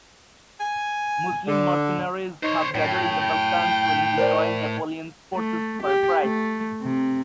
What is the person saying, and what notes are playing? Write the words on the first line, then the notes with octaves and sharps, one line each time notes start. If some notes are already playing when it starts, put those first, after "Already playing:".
Muslim mercenaries have gathered in the Balkans willing to join Napoleon's forces--for a price.
G#5
D3
D#4 C5 C#5
F#2 A2 G5
A#4 C5 D5
A3
G4
A3
C3